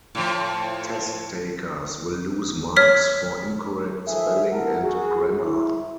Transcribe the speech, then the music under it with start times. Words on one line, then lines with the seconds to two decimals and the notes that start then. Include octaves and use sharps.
Test takers will lose marks for incorrect spelling and grammar.
0.15 A2 F3
2.76 C#5 F6 B6
4.08 D#3 F3 G#4 A4 E5
4.51 B3 E4 A4 A#4 F#5
4.83 F#4 G#4
5.43 E4